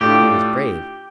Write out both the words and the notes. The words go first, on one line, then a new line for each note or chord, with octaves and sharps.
He was brave.
A2 A3 D4 F4 G4